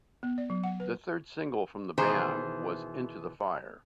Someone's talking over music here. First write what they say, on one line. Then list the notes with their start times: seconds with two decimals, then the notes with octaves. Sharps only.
The third single from the band was "Into the Fire".
0.23 B3
0.38 D5
0.50 F#3
0.64 F#5
0.80 B4
1.98 B2 D#3 E3 G#4 C5